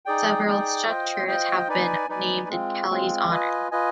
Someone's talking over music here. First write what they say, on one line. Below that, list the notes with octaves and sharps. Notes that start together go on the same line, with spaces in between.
Several structures have been named in Kelley's honor.
D#4 G#4 D5 G5
D#4 G#4 D5 G5
F4 C5 D#5 G5
F4 C5 D#5 G5
D#4 B4 D5 G#5
D#4 B4 D5 G#5
G#3 C4 F4
G#3 C4 F4
F4 B4 D#5 G#5
F4 B4 D#5 G#5